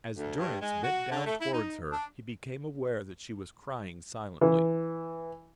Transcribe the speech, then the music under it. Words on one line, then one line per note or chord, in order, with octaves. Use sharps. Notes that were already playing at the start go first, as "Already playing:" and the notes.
As Durrance bent down towards her, he became aware that she was crying silently.
D2
G2
G#3
F#4
D3
A3
E4
D#4
D4
E3